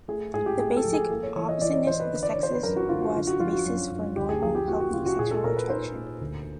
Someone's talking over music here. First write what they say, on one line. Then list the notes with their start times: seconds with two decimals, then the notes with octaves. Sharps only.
The basic oppositeness of the sexes was the basis for normal, healthy sexual attraction.
0.08 A3 G#4
0.34 G#2 G#4
0.46 G4
0.59 A3 G#4
0.77 A4
0.85 F3
0.94 G#4
1.10 A#3 A4
1.23 C#5
1.36 E3 C#5
1.49 D#5
1.62 E3 D5
1.74 C#5
1.87 E3 C5
2.00 B4
2.13 D3
2.23 D5
2.33 C#5
2.38 D3
2.43 C5
2.53 B4
2.63 F#2 A#4
2.76 F#4
2.89 D3 F4
3.01 F#4
3.14 D3 F4
3.27 F#4
3.40 F3 F4
3.53 F#4
3.66 F#2
3.91 F#2
4.16 D2 G4
4.29 G#4
4.42 F3 G#4
4.55 G4
4.68 A#3 F#4
4.80 F#4
4.93 C#3 F4
5.06 F#4
5.18 A#2 G#4
5.31 A4
5.44 A#2 A#4
5.57 B4
5.70 D#4 C5
5.95 A#3
6.21 D2